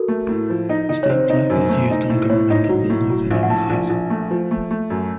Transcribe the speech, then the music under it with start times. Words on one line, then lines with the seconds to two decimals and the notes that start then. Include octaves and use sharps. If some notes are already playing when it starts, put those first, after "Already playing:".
The State flag is used on governmental buildings and embassies.
Already playing: F#4 A4 A#4
0.08 A3
0.29 A2
0.50 F3
0.69 D#4
0.89 D#4
1.03 C#5
1.09 C4 C5
1.30 D#4
1.50 F#2
1.69 A3
1.90 D#4
2.10 A2
2.30 A2 C#5
2.50 D#4
2.69 F#3
2.90 A2
3.09 F#3
3.31 A#1
3.43 F#5
3.50 A2 A5
3.70 A#1
3.90 A#1
4.10 A3
4.31 F3
4.51 A3
4.71 A3
4.90 F#2